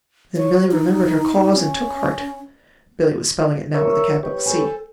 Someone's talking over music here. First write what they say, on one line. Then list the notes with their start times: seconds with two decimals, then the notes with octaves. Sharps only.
Then Billy remembered her Cause, and took heart--Billy was spelling it now with a capital C.
0.37 C#5
0.71 D#4
1.54 C#4
3.74 A#4 C#5 E5
4.23 G4 B4 C#5
4.46 A4 C5 G#5